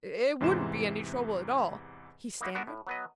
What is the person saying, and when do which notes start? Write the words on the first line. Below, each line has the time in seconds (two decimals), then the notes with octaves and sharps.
"It wouldn't be any trouble at all," he stammered.
0.40 E2 G#2 C3 E3 C6 E7
2.41 A#3 D#4 E4 F#4
2.55 B3 D4 F#4 A#4
2.67 A2
2.87 F#3 B3 B4 D#5